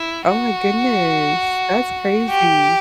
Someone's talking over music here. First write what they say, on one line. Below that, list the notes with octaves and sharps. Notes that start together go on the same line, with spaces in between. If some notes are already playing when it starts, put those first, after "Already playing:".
Oh my goodness. That's crazy.
Already playing: E4
F#4
G4